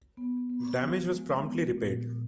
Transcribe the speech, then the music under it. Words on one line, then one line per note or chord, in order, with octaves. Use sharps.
The damage was promptly repaired.
B3
B3
F3
G#3
B3
A#2
A#2